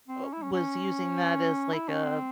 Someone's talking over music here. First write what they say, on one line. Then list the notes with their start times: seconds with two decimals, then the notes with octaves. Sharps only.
uh was using that as, like, a
0.08 C4
0.23 C#4
0.33 E4
0.42 C#4
0.53 C#4
1.73 E4
1.88 C#4
2.03 C4